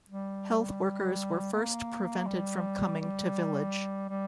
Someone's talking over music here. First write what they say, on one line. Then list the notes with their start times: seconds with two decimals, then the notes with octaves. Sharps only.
Health workers were first prevented from coming to village.
0.08 G3
1.54 A#3
2.27 G3
3.00 G3
4.09 G3